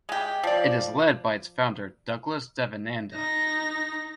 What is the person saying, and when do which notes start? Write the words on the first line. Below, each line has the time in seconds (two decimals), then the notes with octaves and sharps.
It is led by its founder Douglas Devananda.
0.09 G#3 G4
0.43 F3 D5
3.14 D#4 A#6